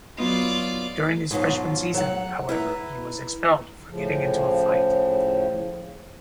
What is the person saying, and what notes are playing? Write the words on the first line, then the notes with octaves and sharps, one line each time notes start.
During his freshman season, however, he was expelled for getting into a fight.
F#3 B3 D#4 F4 D5
G#2 B2 D#3 F#3 F4
F#3 F#5
E4 B4 A#5
A2 C#3 F3